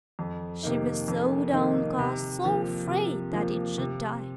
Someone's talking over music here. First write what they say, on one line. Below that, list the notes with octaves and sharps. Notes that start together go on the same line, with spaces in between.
She was so downcast, so afraid that it should die!
F2
C3 D#3 A#3 D#4
F2
C3 D#3 A#3 D#4
C3
F3 A#3
C3
F3 A#3
C3